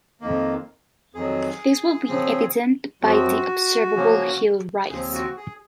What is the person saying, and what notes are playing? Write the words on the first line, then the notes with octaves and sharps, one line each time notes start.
This would be evident by the observable heel rise.
F2 D#3 A#3
F2 D#3 F#3 G#4
C#3 F3 C4
F#2 F3 C4 F#4
C#3 F3 A#3 C#4
D#2 C#3 F3 C4 G#4
F#4
G#4